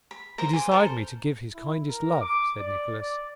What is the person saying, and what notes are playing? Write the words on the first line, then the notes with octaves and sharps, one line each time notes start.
'He desired me to give his kindest love,' said Nicholas.
B5
A#4 C5 A#5
G#5 C6 D6
A4 A#4 C5
E4
A#4
D6
D5
D5